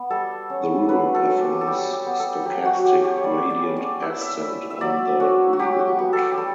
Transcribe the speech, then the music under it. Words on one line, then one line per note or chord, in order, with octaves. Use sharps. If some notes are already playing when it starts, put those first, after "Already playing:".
The rule performs stochastic gradient ascent on the reward.
Already playing: B3
G3 A4
C#4
F#3 B4
A4
C#4
G4
A4
G3 G4
G4
B3
A4
F#3 G4
F#4
C#4 G4
G4
C#5
G3 D5
D5
C#4
D5
E4 E5
E5
E4
E5
F#3 D5
C#4 F#4
F#4
F#3 G4
F#4
B3 G4
A4
G4
G4
G3 A4